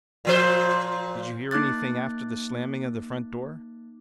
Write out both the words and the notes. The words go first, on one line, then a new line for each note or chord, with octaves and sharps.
"Did you hear anything after the slamming of the front door?"
A#2 F3 C5
A#3 D#4 D6 F#6 A6